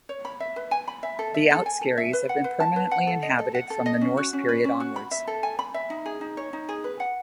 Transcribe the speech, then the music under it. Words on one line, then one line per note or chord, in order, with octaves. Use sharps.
The Out Skerries have been permanently inhabited from the Norse period onwards.
C#5
B5
E5
B4
G#5
B5
E5
A4
E5
A4
G#5
A4
E5
B4
F#5
B4
A5
B4
F#5
A4
D#5
A4
F#5
A4
D#5
C#4
F#4
C#4
B4
C#4
F#4
B5
E5
A4
G#5
B5
E5
D#4
G#4
D#4
C#5
D#4
G#4
B4
F#5